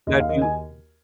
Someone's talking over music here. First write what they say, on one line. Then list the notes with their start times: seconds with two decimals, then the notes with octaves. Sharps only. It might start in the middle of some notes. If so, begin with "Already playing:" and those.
Now, do you
0.07 D#2 D#5
0.20 F5
0.29 D#3 D#5
0.42 G#5